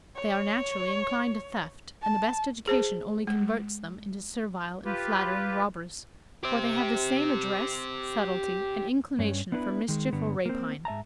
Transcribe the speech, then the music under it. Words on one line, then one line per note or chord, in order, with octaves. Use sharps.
They are, naturally, inclined to theft, and the best education only converts them into servile and flattering robbers; for they have the same address, subtlety, and inclination for mischief or rapine.
C#5
A5
G#4 C5 A5
G#3
F4 G4 B4
G4 C5
G2 C#4
B3 D4 E4 B4
D#3 G#3
G2 D3 B3
A#3 C4
G#2 E5 A5 A#5